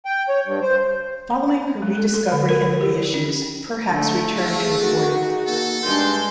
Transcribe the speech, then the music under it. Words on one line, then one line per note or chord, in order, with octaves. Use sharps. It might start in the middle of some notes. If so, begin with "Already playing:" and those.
Following her rediscovery and the reissues, Perhacs returned to recording.
G5
C#5
G2
C5
G#3
A4
A4
D3
A#4
D3
G4
D5
C#4
D3 A3 D#4
D4 G#4 F5
D#4 F#4
G#4
A#3 A4
G2 G#3 D4 C6 G6